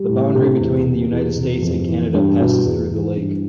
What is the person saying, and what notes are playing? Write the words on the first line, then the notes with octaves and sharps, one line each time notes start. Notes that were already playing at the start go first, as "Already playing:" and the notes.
The boundary between the United States and Canada passes through the lake.
Already playing: G3
A2
C3
E2
C3
E2
C3
F2
E3
G2
B2
E2
E3
G2